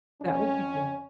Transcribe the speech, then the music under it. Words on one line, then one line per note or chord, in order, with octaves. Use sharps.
That would be good.
F2 C#4